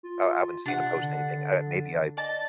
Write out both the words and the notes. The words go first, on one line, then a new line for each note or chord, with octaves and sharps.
uh, I haven't seen him post anything, uh, maybe I
F4
C3 D4 F#5
D3
D5 D#5 A5